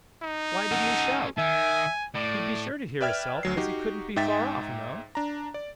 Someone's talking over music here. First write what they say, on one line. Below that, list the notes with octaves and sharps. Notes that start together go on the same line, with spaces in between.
"Why didn't he shout? He'd be sure to hear his-self, 'cause he couldn't be far off, oo know."
D#4
C#4 A4 F#5
D#3 E5 G#5
A2 A3 D5
B4 D5 E5 G5 F6 G#6
D2 F#3 C7
D#4 F#4 G4
G#2 D#4 E5 G5 A6 B6
D4 A#5
D5